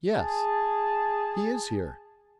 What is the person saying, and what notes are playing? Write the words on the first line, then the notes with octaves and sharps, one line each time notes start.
Yes; he is here....
G#4 A5